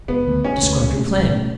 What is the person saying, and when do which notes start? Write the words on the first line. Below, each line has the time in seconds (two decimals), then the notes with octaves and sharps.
"Describe your plan."
0.08 E1 B3
0.27 D2 D3 A3
0.44 E1 C#4
0.62 D2 D3 A3
0.80 C#2
0.97 B2 A3 C#4
1.16 C#2
1.33 B2 A3 C#4